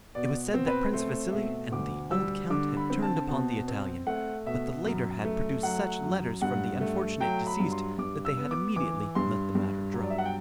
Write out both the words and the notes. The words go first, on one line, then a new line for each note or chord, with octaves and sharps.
It was said that Prince Vasili and the old count had turned upon the Italian, but the latter had produced such letters from the unfortunate deceased that they had immediately let the matter drop.
B2 D5
C4
B4
A3 C5
B2 E5
D2 D6
G3 E6
D3 D6
B5
C4
A5
B2 A5
C4
A3 F#5
B2 E5
F#2
A3
F#3 F#5
F#2
G2 F#5
A3
F#3 G5
B5
G2
C6
G2 D6
E6
B3
D6
E3 D6
G2 C6
G2
F#3
D5
E5
F#5
G5